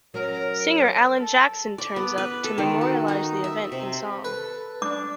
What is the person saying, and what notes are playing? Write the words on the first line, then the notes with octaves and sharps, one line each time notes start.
Singer Alan Jackson turns up to memorialize the event in song.
F#3 C#4 F#4 A#4
A4
D5
B3
B4
A4
D#3
F#4
D#4
E5
C3
A4 B4
D4 D6